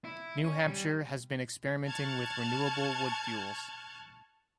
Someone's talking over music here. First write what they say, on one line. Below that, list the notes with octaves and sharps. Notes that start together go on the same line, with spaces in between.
New Hampshire has been experimenting with renewable wood fuels.
E4
C#4
G3
A5 C#6 F6 F#6 G#6